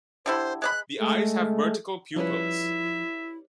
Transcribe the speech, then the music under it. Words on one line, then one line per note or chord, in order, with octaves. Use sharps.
The eyes have vertical pupils.
D3 G3 E4 C5
G#3 D5 B5 F#6
G#3 A3
F3 G3 C#4 E4 B4 E5